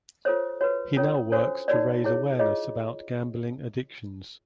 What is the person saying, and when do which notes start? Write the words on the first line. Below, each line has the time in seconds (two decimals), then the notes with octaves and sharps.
He now works to raise awareness about gambling addictions.
0.25 F4 A4 C5 C#5
0.61 F#4 B4 C#5
0.96 C#4 F4 A4 C#5
1.32 D4 F#4 A4 C5 C#5
1.68 D#4 F#4 A#4 C#5 D5
2.04 E4 G#4 C#5
2.39 F4 G#4 C#5 D#5